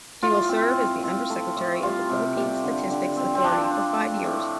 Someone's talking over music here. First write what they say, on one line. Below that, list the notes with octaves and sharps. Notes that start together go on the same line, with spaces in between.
He will serve as the Undersecretary of the Philippine Statistics Authority for five years.
A2 F4
C4
C4
C4
A3
A2
G3 F4
C3
G3
D3
D3
C4
C4
F3 D4
C4
A3
A2